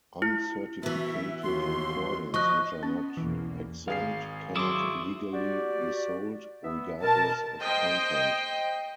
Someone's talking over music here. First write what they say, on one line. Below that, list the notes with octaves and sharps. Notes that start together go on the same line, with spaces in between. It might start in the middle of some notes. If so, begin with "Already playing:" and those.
Uncertificated recordings which are not exempt cannot legally be sold, regardless of content.
E4
E3 B3 F#4 E5
D#2 F#4 C6
F3 F4 D#5 C#6 F#6
B3 C#4
B1 E2 E3 A#3
G#1 G#4 F5 C7
F#3 E4 C#5 C6 D6 D#6
F#4 G4 D5
B3 E5
B2 A#4 A5
C5 D#5 G5